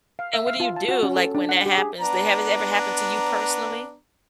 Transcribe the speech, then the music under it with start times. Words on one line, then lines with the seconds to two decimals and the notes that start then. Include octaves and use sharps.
And what do you do, like, when that happens they has it ever happened to you personally?
0.19 F5
0.34 E5
0.47 F5
0.60 F4
0.76 A5
0.89 F#4
1.03 C#4
1.16 A4
1.35 D4
1.49 F#5
1.66 G4
1.78 G#4
2.00 B3 D4 A#5